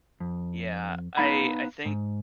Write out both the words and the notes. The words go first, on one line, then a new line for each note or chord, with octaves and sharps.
Yeah, I I think
F2
B3 D#4 F5 A#5 B5
G#2